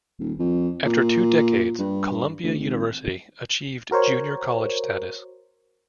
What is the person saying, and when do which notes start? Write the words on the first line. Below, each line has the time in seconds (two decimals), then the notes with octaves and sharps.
After two decades, Columbia University achieved junior college status.
0.20 D#1
0.39 F2
0.85 A#2
1.79 G2
2.44 D2
2.59 G#1
3.91 F#4 A#4 C5 C#5